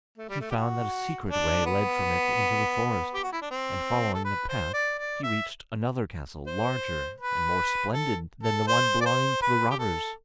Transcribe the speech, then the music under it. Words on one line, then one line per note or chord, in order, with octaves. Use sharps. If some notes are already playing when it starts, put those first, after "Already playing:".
He found that a secret way led from it into the forest; and following the path, he reached another castle larger and more splendid than the one belonging to the robbers.
A3
G3
A3
G4
F#4
D4
B3
G4
F#4
E4
D4
C4
A4
B4
C5
D5
D5
E5
C5
B4
A4
A4
C5
D5
C5
B4
G4
A4